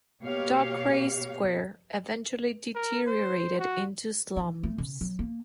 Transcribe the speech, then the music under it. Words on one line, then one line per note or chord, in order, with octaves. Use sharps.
Dockwray Square eventually deteriorated into slums.
B2 A#3 G4 C#5 F5
A#4
C5
F#4
D#4
A3
C#3
F#3
A#3